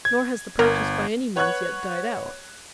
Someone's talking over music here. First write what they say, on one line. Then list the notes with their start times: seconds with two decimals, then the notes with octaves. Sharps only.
Nor has the practice by any means yet died out.
0.05 G#6
0.59 G1 A#4
1.36 B4 C#5 F#5 C#6 F#6 G#6